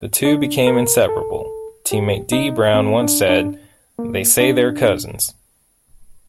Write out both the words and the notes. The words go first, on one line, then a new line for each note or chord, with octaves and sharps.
The two became inseparable; teammate Dee Brown once said, They say they're cousins...
D4
A#4
A4
G4
D#4
C4
D4
D4
A#3
D4